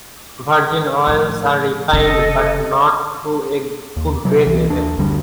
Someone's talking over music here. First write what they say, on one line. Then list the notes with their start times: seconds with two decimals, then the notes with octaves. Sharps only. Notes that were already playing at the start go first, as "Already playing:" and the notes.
Virgin oils are refined, but not to a food-grade level.
1.07 A2 F3
1.93 F1 C#3 A4 D#5
3.96 D#2
4.25 C3 F#3
4.46 C2 E3
4.70 D#2 D4
4.98 F#1 D2 D3 G3